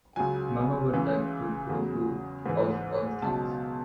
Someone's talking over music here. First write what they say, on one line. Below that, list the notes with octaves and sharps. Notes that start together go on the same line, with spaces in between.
Mamma would like to go too of all things!
C#2 C#3 F#3 G#5
C#2 C#3 E3
E2 C#3 F#3
G#2 E3
C#2 B2 F#3 A5